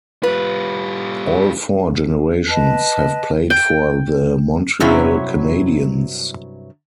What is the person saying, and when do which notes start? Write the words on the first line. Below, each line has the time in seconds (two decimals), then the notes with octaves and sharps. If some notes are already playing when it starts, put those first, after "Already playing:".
All four generations have played for the Montreal Canadiens.
0.23 G3 F4 B4
2.48 B4 D#5 A5
3.50 G5
4.80 G2 C3 F#3 C#4 E4